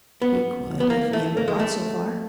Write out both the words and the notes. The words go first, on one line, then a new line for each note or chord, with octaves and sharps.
"He could--if he ever got so far."
B3
B3
A#3
A3
A#3
G#3
A3